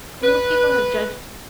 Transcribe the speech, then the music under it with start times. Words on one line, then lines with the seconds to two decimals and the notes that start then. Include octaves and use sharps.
I know people have judged
0.23 B4